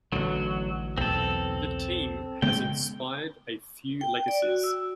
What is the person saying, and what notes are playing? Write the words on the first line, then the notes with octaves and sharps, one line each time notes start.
The team has inspired a few legacies.
A1 A2 D3 F#3
B1 E2 A2 C4 A4
C#3 G#3 B3 G5
G5
D5
F#4
E6